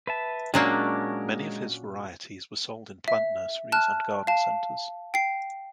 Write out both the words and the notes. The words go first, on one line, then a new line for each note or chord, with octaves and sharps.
Many of his varieties were sold in plant nurseries and garden centers.
B4 E5 A5
A#2 F#3 G#3 A#3 C#4 D4 A#4 A5
E5
A5 F6 F#6
F5 A5
G5 C7